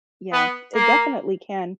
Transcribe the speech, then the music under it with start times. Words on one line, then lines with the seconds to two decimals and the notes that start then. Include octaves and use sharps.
Yeah, it definitely can.
0.32 B3
0.74 A#3